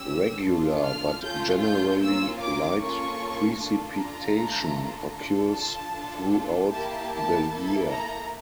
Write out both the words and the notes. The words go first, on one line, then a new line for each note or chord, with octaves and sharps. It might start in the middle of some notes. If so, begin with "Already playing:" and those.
Regular but generally light precipitation occurs throughout the year.
Already playing: C#4 G4 E6
D4 F4 A4
F6
C#4 F4 A4 G6
G6
A#3 C#4 F4 E6
D6
A#3 C#4 F4 A4 C#6
D4 F4 A4
A#5
A3 D4 F4 A4
D4 F4 A4
A5
D4 F4 A4
A#3 E4 G4 A5
A5
A#3 E4 A4
A#5